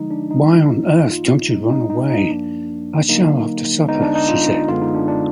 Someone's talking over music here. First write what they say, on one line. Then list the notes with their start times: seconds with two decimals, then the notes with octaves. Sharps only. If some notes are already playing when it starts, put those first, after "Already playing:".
"Why on earth don't you run away?" "I shall after supper," she said.
Already playing: D3 F3 G#3 D#4
0.11 D4
0.31 D#4
0.70 F#2 D#3 A#3
1.10 F4
1.50 B2 G#3 B3 D#4
1.70 D#4
1.90 D#4
2.10 D#4
2.29 F#2 F3 A#3 D4
3.09 D3 F#3 A#3 D#4
3.89 D3 G#3 B3 D#4
4.02 D4
4.15 D#4
4.28 F4
4.68 F#2 D3 G#3 B3 F4
4.82 D#4
4.95 D4
5.08 D4